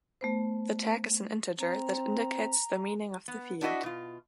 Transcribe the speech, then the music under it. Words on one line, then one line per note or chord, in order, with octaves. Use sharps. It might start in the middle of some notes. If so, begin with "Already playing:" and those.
The tag is an integer that indicates the meaning of the field.
A3 B3 C5
C4 A#5
B3
D4 E4 F#4 G#4 D#5 E5
B2 F4